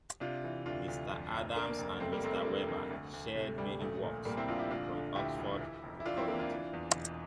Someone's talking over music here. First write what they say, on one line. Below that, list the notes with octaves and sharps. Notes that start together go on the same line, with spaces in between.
Mr. Adams and Mr. Weber shared many walks from Oxford to Covington.
C3 D4 F4
E3
D2 D4 F4
D2
F2
F1
F1 A#3 D4
F1
F1 A3 C4
G3 A#3
F1 A3 C4
G3 A#3
D3
F2
D2
D2
C3 A3
D2 G3
A#1 A3
A#2
A#2 G3 A#3
C4 E4
A#1 D4 F4
E4 G4
D2 D4 F4
D3
D2 E4 G4
E1
E3
F1
E4
E3 D4 F4
C4 E4
E3 A#3 D4
D4 F4
E3
E2
E1